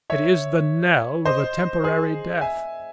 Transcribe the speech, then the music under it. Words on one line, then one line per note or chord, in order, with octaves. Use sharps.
It is the knell of a temporary death.
C#5 E5
C5 D#5
G#4 C5
E5 G#5